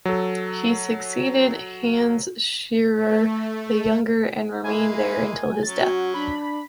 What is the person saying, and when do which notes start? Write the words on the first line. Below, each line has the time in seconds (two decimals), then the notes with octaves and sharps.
He succeeded Hans Scherer the Younger and remained there until his death.
0.05 F#3 A4
2.94 A3
4.64 G#3 A#3 E4 G#5
5.63 F#3 C#4 A6
5.81 F#4
6.14 D4 B5